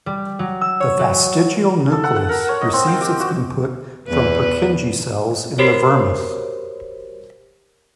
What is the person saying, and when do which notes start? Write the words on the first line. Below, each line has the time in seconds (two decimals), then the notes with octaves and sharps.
The fastigial nucleus receives its input from Purkinje cells in the vermis.
0.06 G3
0.39 F#3
0.61 E6
0.80 C#5
0.99 F#3
1.92 A4
2.04 F#5
2.16 F#5
2.29 A#4
2.49 C#5
2.61 D#5
2.73 C4
2.87 G5
3.01 G4
3.20 F#4
4.08 E2 B4
5.58 F#4 G4 A#4 C5 C#5